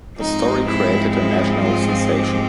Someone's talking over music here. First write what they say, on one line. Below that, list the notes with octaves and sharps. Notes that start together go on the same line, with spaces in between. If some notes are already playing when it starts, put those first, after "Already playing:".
The story created a national sensation.
G#2 F3 G#3 C4 D#4
E4
E4
F4
G4